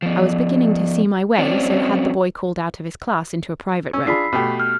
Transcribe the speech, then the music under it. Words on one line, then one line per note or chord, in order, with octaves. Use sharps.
I was beginning to see my way, so had the boy called out of his class into a private room.
F3 B3
F#3 C4 C#4 C5 D5
C#4 E6
D4 F4 G#4 B5 B6 C7
B2 A3 G4
F6 G6